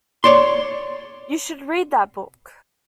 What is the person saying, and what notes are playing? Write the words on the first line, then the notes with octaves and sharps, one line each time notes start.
You should read that book.
C#5 D5 C6